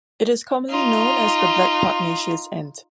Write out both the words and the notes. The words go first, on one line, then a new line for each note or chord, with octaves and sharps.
It is commonly known as the black pugnacious ant.
D#4 F4